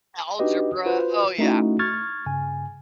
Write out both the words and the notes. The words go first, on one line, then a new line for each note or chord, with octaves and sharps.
Algebra, oh yeah,
D4 D#4 F#4 G4 B4 D#5
F4 F#4 B4 C5
A3 C#4 D#4 E4 F#4
C#6 F6 G#6 A6
G2 C#3 G#5